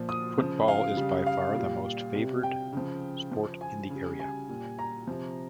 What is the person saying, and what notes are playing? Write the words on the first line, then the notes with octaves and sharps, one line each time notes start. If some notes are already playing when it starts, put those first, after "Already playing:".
Football is by far the most favoured sport in the area.
Already playing: A#2 F3
D#6
C#3 F3
F5
C#3 G3
F5
A#2 G3
C3 G3
G5
C#3 F3
C#3 F3
G#5
C#3
G3
G#5
A#2 G3
A#5
C3 F3